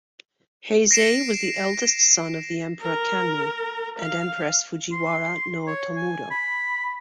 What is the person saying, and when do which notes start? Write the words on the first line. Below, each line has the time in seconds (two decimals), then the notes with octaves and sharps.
Heizei was the eldest son of the Emperor Kanmu and empress Fujiwara no Otomuro.
0.91 A#6 C7 D7 E7
2.81 A#4
3.99 F5
4.92 C6
5.67 C#5
5.96 G#5
6.31 B5